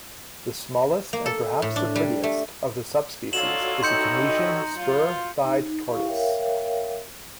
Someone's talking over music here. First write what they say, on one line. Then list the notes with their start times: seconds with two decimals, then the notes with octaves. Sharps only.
The smallest, and perhaps the prettiest, of the subspecies is the Tunisian spur-thighed tortoise.
1.13 A#3
1.26 A4
1.62 A2
1.76 D4
1.96 G3
2.23 A3
3.33 D4 D#4 F4 F#4 A4 C#5 E7 F#7
3.83 D#3 E3 G3 D#4 D#5 C6 G6 C#7
4.75 F#3 F4
5.44 D#4
5.87 E4 G4 F5 C#6
6.06 A#4 C#5 E5 F5 G5